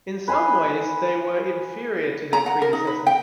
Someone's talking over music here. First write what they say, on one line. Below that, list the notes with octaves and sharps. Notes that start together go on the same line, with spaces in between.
In some ways they were inferior to their predecessors.
B4 G#5 B5 C6
A#5
F#5
A#4
D#4
B4
G5